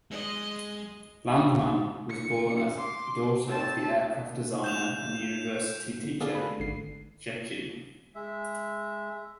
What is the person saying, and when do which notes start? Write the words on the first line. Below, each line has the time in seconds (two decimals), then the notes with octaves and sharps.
Landmann was born as daughter of the aircraft designer and university teacher in Szczecin.
0.11 G#3 D#5
2.09 C#7
2.78 C6 D6
3.47 C4 A5
4.64 G6 E7 F7
5.86 B2
6.03 D3
6.20 B3 G#4 A4 D5 F5
6.35 B5 F#6
6.60 G#1 D3 C7
8.15 G#3 E5